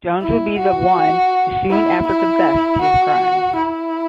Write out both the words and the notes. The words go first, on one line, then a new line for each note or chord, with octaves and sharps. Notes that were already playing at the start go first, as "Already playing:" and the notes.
Jones would be the one to soon after confess to the crime.
E4
F#4
E4
E4
F#4
E4